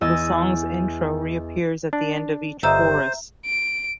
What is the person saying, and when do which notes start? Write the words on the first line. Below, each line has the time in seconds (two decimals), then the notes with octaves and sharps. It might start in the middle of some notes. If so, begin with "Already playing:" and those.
The song's intro reappears at the end of each chorus.
0.01 E2 D#5 G#5 E6 A6
1.93 D4
2.63 G1 G3 C5 D#5 E5 A#5 E6
3.45 D7